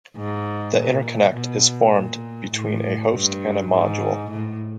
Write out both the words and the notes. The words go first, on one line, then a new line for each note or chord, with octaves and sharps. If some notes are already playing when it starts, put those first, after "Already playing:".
The interconnect is formed between a host and a module.
G#2
A#2
B2
A#2
A2
G2
G#2
A2